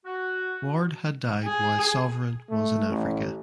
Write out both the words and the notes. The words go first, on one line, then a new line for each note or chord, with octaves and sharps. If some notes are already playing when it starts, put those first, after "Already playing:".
Ward had died while "Sovereign" was in Africa.
F#4
G#4
A3
A1